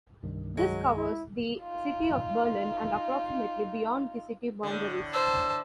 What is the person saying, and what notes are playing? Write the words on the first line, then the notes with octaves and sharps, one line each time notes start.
This covers the city of Berlin and approximately beyond the city boundaries.
C2 G2 D#3
F#3 G#3
E4
D#4 F4
A2 D3
C5 A5 E6